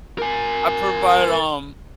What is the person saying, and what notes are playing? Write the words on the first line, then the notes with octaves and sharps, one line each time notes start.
I provide, um,
A#4 G#5